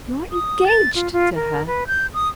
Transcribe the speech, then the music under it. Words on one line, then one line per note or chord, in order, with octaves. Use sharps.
"You are engaged to her!"
D#6
A6
F4
F4
A#4
B4
G6
D#6